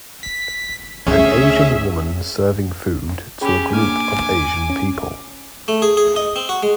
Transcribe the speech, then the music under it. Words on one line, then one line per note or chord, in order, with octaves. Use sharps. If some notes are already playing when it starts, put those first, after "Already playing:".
An Asian woman serving food to a group of Asian people.
B6
D2 D3 C#4 G#4 E5
C#4 G4 G#4 G5 B5
A#3 D4 G#5 D6 F6
C#4
A3
G#4
G#4
D#5
C4
F#4
G#3